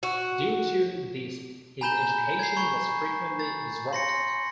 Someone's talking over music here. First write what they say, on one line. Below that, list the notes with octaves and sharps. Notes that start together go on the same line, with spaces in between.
Due to this his education was frequently disrupted.
F#4
G#5 A#5 B5 G6 E7 G7
G#6 C7
B5 C#6 G#6
A6
C6 A#6 C#7